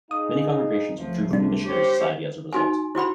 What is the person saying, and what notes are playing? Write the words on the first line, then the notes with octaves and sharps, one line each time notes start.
Many congregations withdrew from the missionary society as a result.
D#4 G#4 F5 D#6
C#2 F3 A3
C3 G3 D4
G4 C5 C#5
D#4 F#4 G#5
E4 F#4 G5 B5